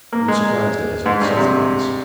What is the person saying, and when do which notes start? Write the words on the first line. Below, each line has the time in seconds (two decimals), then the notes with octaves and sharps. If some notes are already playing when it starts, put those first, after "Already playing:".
He was surprised at his own sensitiveness.
0.13 A#3
0.28 G#3
1.06 G#2
1.21 G2
1.37 C3